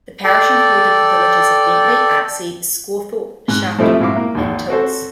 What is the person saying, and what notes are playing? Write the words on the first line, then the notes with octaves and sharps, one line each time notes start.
The parish included the villages of Bentley, Arksey, Scawthorpe, Shaftholme and Tilts.
A4 D5 G5
G#2 F#6
F3 G3 A3 C4 D#4 E4
G#2 E4 F#4 F5 D6
A#3
G#1 D#2
C4 F#4 A4 C5